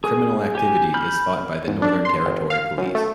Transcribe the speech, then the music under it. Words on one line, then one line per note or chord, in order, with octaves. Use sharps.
Criminal activity is fought by the Northern Territory Police.
G#4
G4 G#5
B5 F6 G6
G#1
D4
C6
G1
F5
F#2
A3